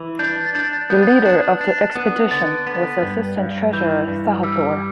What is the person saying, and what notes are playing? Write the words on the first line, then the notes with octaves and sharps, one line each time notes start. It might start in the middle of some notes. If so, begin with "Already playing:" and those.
The leader of the expedition was the "assistant treasurer" Sahathor.
Already playing: E3
D4 G6
A6
D4 G6
B3 G6
A6
G6
D4
D4
B3
D3 A6
B3
G2
G2
E3 G6
G2
G3 E6